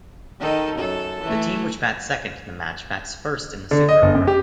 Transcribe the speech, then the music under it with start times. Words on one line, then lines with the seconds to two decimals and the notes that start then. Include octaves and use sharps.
The team which bats second in the match bats first in the Super Over.
0.40 D#3 D#4 A4
0.76 F#2 A4
1.23 E3 A3
3.71 D3
3.89 D#5
4.02 G1
4.15 F#2
4.27 G4